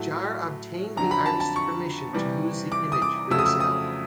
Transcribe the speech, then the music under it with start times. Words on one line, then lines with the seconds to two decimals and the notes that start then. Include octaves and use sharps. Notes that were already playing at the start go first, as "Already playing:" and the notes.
Jarre obtained the artist's permission to use the image for this album.
Already playing: A2 F#3 A3
0.96 F2 D3 F#3 A#5
1.11 B5
1.26 A5
1.40 A5
1.56 C#6
2.13 C3 E3 G3
2.72 D6
2.92 D#6
3.02 D6
3.30 F2 C#3 F#3 A3 E6
3.39 D#6
3.46 E6
3.60 D#6